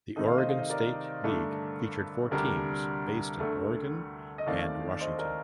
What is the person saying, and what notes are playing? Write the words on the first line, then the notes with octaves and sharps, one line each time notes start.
The Oregon State League featured four teams based in Oregon and Washington.
C3 D#3 A3 D#4 D#5
F5
C5 D#5
F5
D#5
A#4 D5
G2 D3 A3 D4
D2 C3 G3 D4 G4 A#4
D2 D3 A3
D#5
D#2 D#3 A3 C4 D#4 D5 F5
C5 D#5
A#4 D5